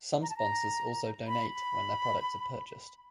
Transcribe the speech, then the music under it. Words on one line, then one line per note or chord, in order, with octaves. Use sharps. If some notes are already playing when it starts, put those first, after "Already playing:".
Some sponsors also donate when their products are purchased.
A#5
A5
A#5
B5
B5